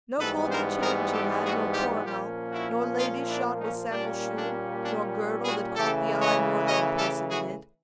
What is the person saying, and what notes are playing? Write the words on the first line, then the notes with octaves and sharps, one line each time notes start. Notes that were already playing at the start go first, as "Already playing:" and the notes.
No golden chain she had, nor coronal, Nor ladies shod with sandal shoon, nor girdle That caught the eye more than the person did.
G#2 E3 G3 B3 A4 B4
A#4 C5
G#4 A#4
G4 A4
F#4 G#4
F4 G4
A#2 F3 A#3 C#4 F4 G4
E4 F#4
D#4 F4
D4 E4
C#4 D#4
A#2 G3 A#3 C#4 D4
D4
D4
F#4 G#4
C#3 E3 A3 G4 A4
C#5 D#5
C#5 D#5
G4 A4
F#4 G#4